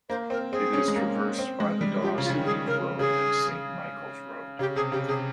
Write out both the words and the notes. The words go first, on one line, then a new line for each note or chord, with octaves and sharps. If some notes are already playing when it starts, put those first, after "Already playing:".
It is traversed by the Daws Heath Road and Saint Michael's Road.
A#3 C5
C4 A#4
C4 G#4
C#4
G#3
A#3
C4
G#3
G3
F3 G4
C#3
F4
C#3
D#3
G#4
C#3 A#4
C#3 G#4
C#3 G4
C3 G#4
C#3 G4
C3 G#4